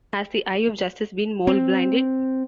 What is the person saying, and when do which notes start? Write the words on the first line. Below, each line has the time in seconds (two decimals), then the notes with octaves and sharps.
Has the eye of Justice been mole-blinded?
1.47 C4